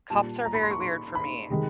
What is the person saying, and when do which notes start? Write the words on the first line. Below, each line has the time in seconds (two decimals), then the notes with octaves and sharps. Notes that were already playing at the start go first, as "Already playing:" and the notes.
Cups are very weird for me
0.10 A#2 G3 A#3 A5
0.45 A#5
0.54 B5
0.63 C6
0.71 C#6
0.80 C6
1.15 B5
1.50 C3 D#3 G#3